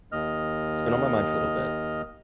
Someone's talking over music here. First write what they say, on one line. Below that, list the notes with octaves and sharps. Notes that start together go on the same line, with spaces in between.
it's been on my mind for little bit
D#2 D#5 F6